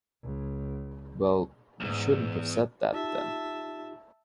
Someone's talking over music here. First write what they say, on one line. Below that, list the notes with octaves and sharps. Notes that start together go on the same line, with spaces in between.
Well — you shouldn't have said that, then.
C#2
B1 E2 G#2
D#4 F4 G4 E5 A5